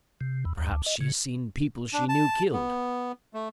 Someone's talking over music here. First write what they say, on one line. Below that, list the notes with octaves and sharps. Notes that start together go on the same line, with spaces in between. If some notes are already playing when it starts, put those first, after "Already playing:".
Perhaps she has seen people she knew killed.
C3
E2
D#2
D2
D#5
C#3
D4
A5
B3
A3